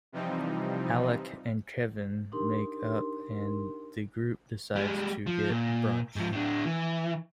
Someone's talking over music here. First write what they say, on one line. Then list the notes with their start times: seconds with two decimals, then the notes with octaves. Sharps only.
Alec and Kevin make up and the group decides to get brunch.
0.12 C3 E3 F3 G3 C4 D#4
2.32 D4 D#4 G4 A#4 C6
4.76 G3 G#3
5.27 F3
5.50 A#2
6.16 G#2 F3
6.32 A2 D4
6.66 E3